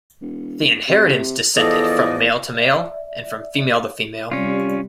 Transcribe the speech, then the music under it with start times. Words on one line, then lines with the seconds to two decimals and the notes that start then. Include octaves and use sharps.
The inheritance descended from male to male and from female to female.
0.21 E1
0.88 C3
1.56 E2 F3 A4 D5 D#5
2.54 D5 E5
4.31 C3 G3 C#4 F4 D5